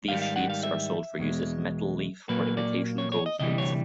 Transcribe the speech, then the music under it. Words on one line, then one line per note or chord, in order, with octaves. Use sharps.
These sheets are sold for use as metal leaf or imitation gold leaf.
G#2 D#3 G3 F5
F5
F#5
F5
E5
E2 B2 G#3
A#2 F#3 A#3 B4
D5
C#5
C#5
D#5
D2 C3 E3 G3 D#5
C#5